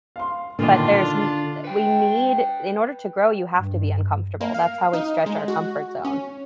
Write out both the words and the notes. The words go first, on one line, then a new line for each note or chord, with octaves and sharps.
But there's n we need in order to grow, you have to be uncomfortable, that's how we stretch our comfort zone.
F5 C6
A#2 D3 D#3 D4 F4
D5
B4 G5
G2
A#3
F5
D#4
G#3
F#4
C#4